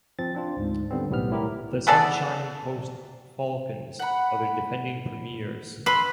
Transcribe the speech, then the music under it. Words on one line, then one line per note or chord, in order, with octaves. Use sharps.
The Sunshine Coast Falcons are the defending premiers.
F3 C4 A6
C4 D4 F4
D2 G#2
D3 G3 B3 C4
B1 A2 G3 B3 F6
A2 E4 G4 A#4
B3 G#4 A4 D5
F#5 B5
B4 B5 C6 E6